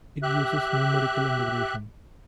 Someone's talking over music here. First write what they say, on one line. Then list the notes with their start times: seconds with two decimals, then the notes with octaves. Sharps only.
It uses numerical integration.
0.23 G4 E5 F#6